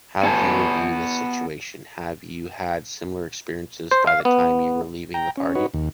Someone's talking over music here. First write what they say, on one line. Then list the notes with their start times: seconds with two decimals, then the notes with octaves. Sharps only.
How do you review this situation? Have you had similar experiences by the time you were leaving the party?
0.23 B3 G#5 A5
3.91 C5
4.07 F5
4.25 B3
5.14 G5 A#5
5.37 C#4
5.55 D#4 F#4 B4 C#5
5.74 D#2